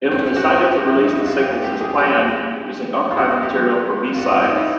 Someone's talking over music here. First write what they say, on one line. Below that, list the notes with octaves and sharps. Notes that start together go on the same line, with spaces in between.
It was decided to release the singles as planned, using archive material for B-sides.
C4
C#4
C4
F#4
G4
E4
D#4
E4
F#4
F4
G4
G4
G#4
G4
F4
F#4
G4
F4
F#4
F4
D#4
E4